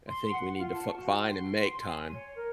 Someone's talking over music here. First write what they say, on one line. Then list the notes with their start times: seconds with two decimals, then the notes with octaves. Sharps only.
I think we need to fi find and make time.
0.07 C6
0.31 F#5
0.58 F4
0.71 A5
0.97 F#4
1.17 G5
1.30 C6
1.83 G#5
2.12 C#5
2.35 A#4